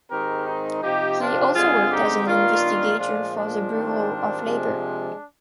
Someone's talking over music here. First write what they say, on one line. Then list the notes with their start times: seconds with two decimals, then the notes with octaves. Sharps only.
He also worked as an investigator for the Bureau of Labor.
0.11 G#2 D#3 G#3 C4 G4 A#4
0.47 D#4
0.82 C3 F3 C4 D#4 G4
1.19 D4 F4
1.55 G2 D3 G#3 C4 F4 G#4
1.90 D#4 G4
2.26 G2 D#3 A#3 D4 F4
2.98 A#2 F3 G#3 D4 F4
3.35 D4 F4
3.70 G#2 D#3 G3 C4
4.43 C3 F3 G#3